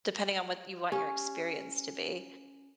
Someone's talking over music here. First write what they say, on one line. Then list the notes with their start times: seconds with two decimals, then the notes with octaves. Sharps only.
depending on what you want your experience to be.
0.92 C#4 G4